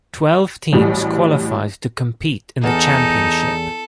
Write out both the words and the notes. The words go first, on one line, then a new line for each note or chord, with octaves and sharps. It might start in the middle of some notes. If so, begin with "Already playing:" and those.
Twelve teams qualified to compete in the championship.
A1 A2 F#3 G3
E2 D#4 A4